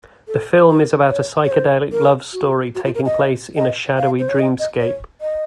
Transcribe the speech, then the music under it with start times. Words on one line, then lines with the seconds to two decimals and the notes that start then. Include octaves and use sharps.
The film is about a psychedelic love story taking place in a "shadowy dreamscape".
0.28 A4
0.70 A#4
1.10 C#5
1.44 C#5
1.51 C5
1.92 A#4
2.33 F#4
2.75 F#4
2.85 F4
2.95 A#4
3.06 D#5
3.57 D#5
3.98 F5
4.19 C5
4.29 C#5
4.39 D#5
4.59 D#5
4.80 C#5
5.21 D#5